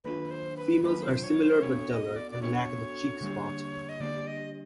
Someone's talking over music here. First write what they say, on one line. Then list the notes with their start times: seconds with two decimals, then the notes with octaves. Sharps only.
Females are similar but duller, and lack the cheek spot.
0.04 D#3 F#3 A#3 D4 F4 B4
0.31 C5
0.57 B4
0.83 D#3 F#3 A#3 D4 F4 B4
1.03 C5
1.24 C#5
1.42 C5
1.62 B3 D4 F#4 A4 C#5
1.90 D#5
2.16 D5
2.31 D5
2.42 B3 D4 F#4 A4 C#5
3.21 D3 G3 A#3 D4 G4
3.89 D#5
4.00 D3 G3 A#3 D4 G4 D5
4.27 D#5